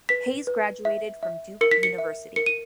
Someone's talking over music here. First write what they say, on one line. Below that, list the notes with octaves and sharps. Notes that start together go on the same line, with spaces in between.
Hayes graduated from Duke University.
B4 B6
B4
E5
E5
A#4 C#7
B6
C#7
E5
A#4 C#7
D#7